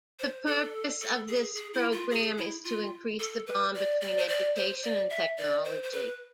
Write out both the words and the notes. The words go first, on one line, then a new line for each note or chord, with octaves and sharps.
The purpose of this program is to increase the bond between education and technology.
C5
A4
A4
G#4
G#4
E4
F4
G#4
E4
F4
A4
B4
D5
D5
C5
D5
C5
D5
E5
D5
C5
C5
B4